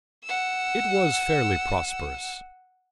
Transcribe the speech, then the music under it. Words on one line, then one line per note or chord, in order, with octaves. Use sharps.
It was fairly prosperous.
F#5 E6